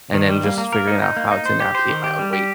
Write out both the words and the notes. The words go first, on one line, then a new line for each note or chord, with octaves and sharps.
And then just figuring out how to navigate my own weight
D#3
G3
A#3
A#3
A#4
D#4
D#4
A#3
D#4
C5
G4
C5
D#3
G4
G3
G4